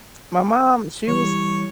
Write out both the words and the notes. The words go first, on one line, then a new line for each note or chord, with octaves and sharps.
my mom, she was
E3 G3 C#5